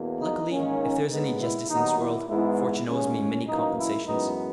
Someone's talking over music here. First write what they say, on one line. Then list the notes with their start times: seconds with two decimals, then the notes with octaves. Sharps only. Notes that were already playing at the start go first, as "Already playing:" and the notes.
Luckily, if there is any justice in this world, fortune owes me many compensations.
Already playing: E2 B2 A#3
0.21 D#4
0.50 G#2 D#3 A#3 C#4
1.10 D#2 C#3 G#3 B3 D#4
1.40 E4
1.69 D#2 D#3 F#3 B3 D#4
1.99 E4
2.29 G#2 E3 G#3 B3 E4
2.88 D#2 C#3 G#3 C#4
3.47 F#2 E3 A#3 D#4
3.77 E4
4.06 F#2 E3 G#3 B3 D#4